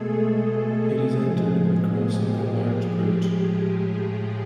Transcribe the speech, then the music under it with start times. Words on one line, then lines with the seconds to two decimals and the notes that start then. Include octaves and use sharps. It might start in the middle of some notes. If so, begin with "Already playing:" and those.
It is entered by crossing a large bridge.
Already playing: B2 G#3 A3 G#4 A4
0.27 G#3 G#4
1.17 A2 F3 G#3
2.07 G4